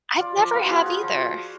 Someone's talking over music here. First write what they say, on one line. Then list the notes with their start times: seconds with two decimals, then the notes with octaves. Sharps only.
I've never have either.
0.20 F4 D5
0.37 F3 D5
0.53 B3 F5
0.64 F#4
0.69 F3 G#4
0.86 F4 F#4
1.02 F3